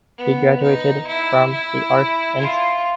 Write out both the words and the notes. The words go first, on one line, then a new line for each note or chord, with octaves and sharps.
He graduated from the Art Inst.
B3
D#4
E4
E4
F4